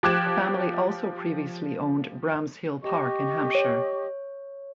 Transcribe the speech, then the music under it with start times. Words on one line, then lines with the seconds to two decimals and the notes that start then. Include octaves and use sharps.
The family also previously owned Bramshill Park in Hampshire.
0.03 F3 G4 D6 F#6 G#6 E7
2.82 G4 D#5 C#6
3.55 C#5